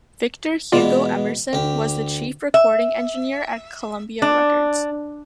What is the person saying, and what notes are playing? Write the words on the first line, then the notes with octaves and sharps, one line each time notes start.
Victor Hugo Emerson was the chief recording engineer at Columbia Records.
B2 E3 G#3 F4 D5
D2 G4
E5
D4